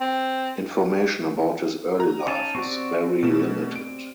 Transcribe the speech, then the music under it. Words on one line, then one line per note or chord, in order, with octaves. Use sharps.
Information about his early life is very limited.
C4
A#5
C#4 D#4 A5
C4 F#4 G4 D5 C#6
B2 A3 E7
D7